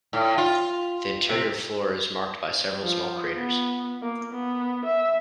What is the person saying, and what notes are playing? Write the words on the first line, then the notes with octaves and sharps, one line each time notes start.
The interior floor is marked by several small craters.
A2
F4
C3
F3
B3
A#3
B3
E5